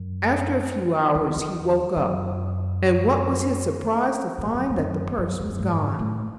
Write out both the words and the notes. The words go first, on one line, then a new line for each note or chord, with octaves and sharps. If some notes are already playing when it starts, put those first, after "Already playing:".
After a few hours he woke up, and what was his surprise to find that the purse was gone!
Already playing: F#2
E2
E2
F#2
F#2
G#2
F#2
G#2
F#2
F#2
E2
F#2
G#2
A2